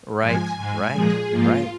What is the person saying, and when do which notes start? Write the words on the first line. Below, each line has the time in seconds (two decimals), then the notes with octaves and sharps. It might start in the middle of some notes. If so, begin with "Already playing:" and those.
Right, right, right.
0.20 G#2 F3 G#3 G#5
0.57 G#2 G#3 G#5
0.93 A#2 F3 G#3 G#4
1.30 G#2 F3 A#3 F4